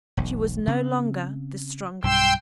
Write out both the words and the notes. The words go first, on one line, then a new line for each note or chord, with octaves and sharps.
She was no longer the stronger.
E1 B1
C#3 C4
B1 G2 G5 C6 E6